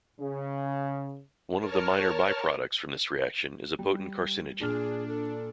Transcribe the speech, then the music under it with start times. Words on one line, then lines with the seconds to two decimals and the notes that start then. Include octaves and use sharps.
One of the minor by-products from this reaction is a potent carcinogen.
0.20 C#3
1.58 A#4 C#5 A5 F6
3.79 G3
4.61 A#2 D4 G#4 F6
5.08 A4